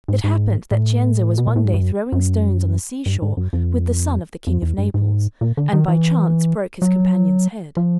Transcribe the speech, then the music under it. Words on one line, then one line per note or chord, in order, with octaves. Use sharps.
It happened that Cienzo was one day throwing stones on the sea-shore with the son of the King of Naples, and by chance broke his companion's head.
G#2
G#2
A2
B2
A#2
A2
G#2
G2
F#2
F#2
G2
G#2
F#2
F2
F2
E2
G2
G#2
A#2
D3
D#3
E3
F#3
F3